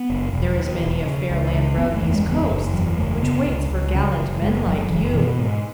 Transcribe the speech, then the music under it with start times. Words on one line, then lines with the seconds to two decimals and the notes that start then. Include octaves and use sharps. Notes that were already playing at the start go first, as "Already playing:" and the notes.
There is many a fair land round these coasts, which waits for gallant men like you.
Already playing: B3
0.10 F#1
0.33 E1
0.58 D#2
0.81 E1
1.05 C#3
1.30 C#2
1.54 C#3
1.77 F#1 B3
1.96 A3
2.02 E2
2.14 G#3
2.25 F#1
2.32 B3
2.50 F#1
2.74 E2 F#3
2.98 F#1 A3
3.22 C#3 B3
3.46 C#2
3.70 C#2
3.95 C#3 C#4
4.18 F#1
4.42 F#1 G#3
4.66 F#1 F#3
4.90 F#1 E3
5.14 B2 E3
5.39 G#2